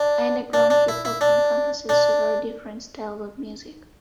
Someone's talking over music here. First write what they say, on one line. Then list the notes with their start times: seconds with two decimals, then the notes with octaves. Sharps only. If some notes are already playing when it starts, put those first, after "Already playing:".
Underground hip-hop encompasses several different styles of music.
Already playing: D4
0.53 D4
0.70 D4
0.88 E4
1.05 E4
1.21 D4
1.89 D4